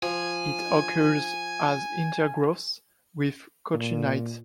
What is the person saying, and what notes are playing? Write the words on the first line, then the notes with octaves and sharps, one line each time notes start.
It occurs as intergrowths with cotunnite.
F3 G#5
A#2